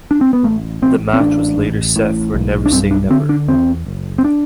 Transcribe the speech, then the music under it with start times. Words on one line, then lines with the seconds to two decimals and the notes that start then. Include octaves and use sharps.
The match was later set for Never Say Never.
0.11 D4
0.21 C4
0.33 B3
0.43 A1 A3
0.82 A1 C4
1.13 C4
1.20 A1 D4
1.58 A1
1.96 A2
2.35 B1
2.66 D4
2.72 G2 C4
2.91 D4
3.10 D3 C4
3.29 D4
3.48 E2 C4
3.86 F#1
4.18 C4
4.24 D4